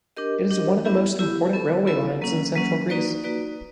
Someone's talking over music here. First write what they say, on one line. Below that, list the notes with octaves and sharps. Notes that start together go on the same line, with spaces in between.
It is one of the most important railway lines in Central Greece.
D4 G4 A#4 D#5
D4 G4 A#4 D#5
B3 E4 G4
B3 E4 G4
B3 E4 A4
B3 E4 A4
F#3 A#3 C#4
F#3 A#3 C#4
A#3 D#4 F#4 B4 D5
A#3 D#4 F#4 B4 D5